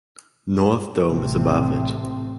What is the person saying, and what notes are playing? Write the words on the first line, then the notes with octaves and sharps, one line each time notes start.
North Dome is above it.
A1 C3 A3 C4